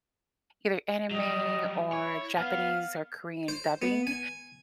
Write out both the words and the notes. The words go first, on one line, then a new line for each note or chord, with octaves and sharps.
either anime or Japanese or Korean dubbing.
F#3 G3 D#5
E4 C#5
B3 F5
C5
B3
G#5